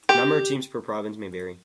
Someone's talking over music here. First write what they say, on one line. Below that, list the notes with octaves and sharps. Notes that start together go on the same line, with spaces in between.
Number of teams per province may vary.
G4